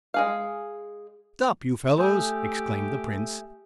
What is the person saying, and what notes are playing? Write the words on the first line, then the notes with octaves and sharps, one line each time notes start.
"Stop, you fellows!" exclaimed the prince.
G#3 G#4 F5
A3 G4 G#5 D#6 G6